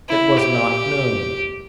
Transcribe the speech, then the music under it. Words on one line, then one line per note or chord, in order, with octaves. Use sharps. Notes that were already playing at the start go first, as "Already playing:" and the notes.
It was not known.
E4
G4